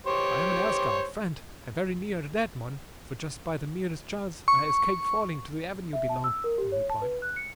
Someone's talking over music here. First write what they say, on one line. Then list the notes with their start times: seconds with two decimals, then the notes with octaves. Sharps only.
"I am an air scout, friend, and very near a dead one, for just by the merest chance I escaped falling to the avenue below," I replied.
0.07 G4 C5 C#5
4.48 C#6
5.93 E5
6.09 A5
6.24 E6
6.44 A#4
6.58 G4
6.72 C#5
6.90 A5
7.02 B4
7.22 F#6
7.36 C#7